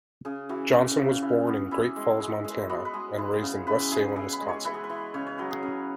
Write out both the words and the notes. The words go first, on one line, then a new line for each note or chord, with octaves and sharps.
Johnson was born in Great Falls, Montana, and raised in West Salem, Wisconsin.
C#3 G#4
E3 F#4
C#3 C#4
C#3
E3
B3
E3 E4
G#3
G#3
G#3
B3 F#4
B4
G#3 G#4
E3 B4
C#3
E3 B4
E3 G#4
E3 G#4
B4
G#3
C#5
E3 B4
G#4
B4
E3
C#3 C#5
C#5
F#3 B4
G#4
C#3